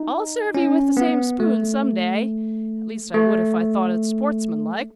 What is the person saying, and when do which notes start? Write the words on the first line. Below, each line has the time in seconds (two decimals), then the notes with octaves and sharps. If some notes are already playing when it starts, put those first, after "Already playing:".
I'll serve you with the same spoon some day, at least I would if I thought it sportsmanlike.
Already playing: D#4
0.55 C#4
0.97 B3
1.40 A3
3.14 A3